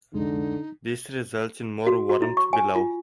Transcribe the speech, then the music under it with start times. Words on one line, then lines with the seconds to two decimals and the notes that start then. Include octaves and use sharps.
This results in more warmth below.
0.13 C2 F2 D3 G#3 D#4
1.87 F#4
2.09 F#4
2.22 E4
2.37 C#6
2.53 G#5
2.75 F4